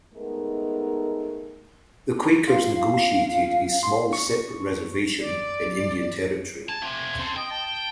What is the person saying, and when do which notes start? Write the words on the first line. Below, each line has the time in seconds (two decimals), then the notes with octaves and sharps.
The Quakers negotiated a small separate reservation in Indian Territory.
0.13 G#3 A3 B3 D#4 A#4
2.48 F4 F5
3.83 C6
4.13 C#6
5.20 D5
6.69 G#5 A5
6.82 A3 C4
7.19 C4 A4 C5
7.36 D#5 G5
7.51 A5